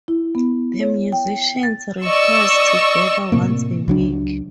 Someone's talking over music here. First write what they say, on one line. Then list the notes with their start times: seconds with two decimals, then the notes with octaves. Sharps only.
The musicians rehearse together once a week.
0.08 E4
0.35 B3
0.80 C#5
1.12 G5
1.63 A6
2.04 D5 D#5 C#6 E6
3.32 A2 C3 A#3
3.88 C#2 F#3 D4